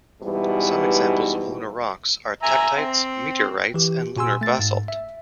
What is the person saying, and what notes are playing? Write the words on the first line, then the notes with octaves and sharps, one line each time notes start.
Some examples of lunar rocks are tektites, meteorites and lunar basalt.
G#2 B2 E3 G3
E5 G#5 A#5
C4
E3 G4
A#2 F#4 G#5 C6 E6
A3 A6
G#2
E5